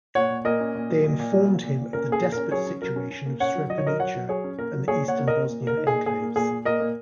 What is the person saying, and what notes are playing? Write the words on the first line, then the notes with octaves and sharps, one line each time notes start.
They informed him of the desperate situation of Srebrenica and the eastern Bosnian enclaves.
A#2 C#5 F#5
A#2
A#2 A#4 D#5
C#4
A#2
F#3
A#2
A#2
F#3
A#2
A#2
A#2
C#4 A#4
A#2 G#4
A#2
C#4 A#4
F#3 G#4 C#5
C#4
F#3 A#4
C#4
C#4
A#3
C#4 C#5 F#5
F#3
F#3 D#5
C#5
F#3 A#4 D#5
F#3 C#5 F#5
F#3
F#3 G#4 C#5
C#4
A#3 A#4
F#3
A#2 G#4 C#5
A#2 C#5 F#5
A#3
A#4 D#5
A#2
A#2
A#3 A#4
D#4
G#4
A#2
A#2 G#4
A#3
A#2 G#4
A#2
A#2 A#4 D#5
A#3